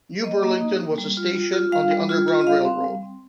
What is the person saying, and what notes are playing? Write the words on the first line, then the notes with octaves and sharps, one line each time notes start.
New Burlington was a "station" on the Underground Railroad.
A#3 D#5
A#3
D#4
A#3
G3
F4
F4
F4
G3 F5
G3
F4
F4
D#5
G3 F5
C4
G3
C4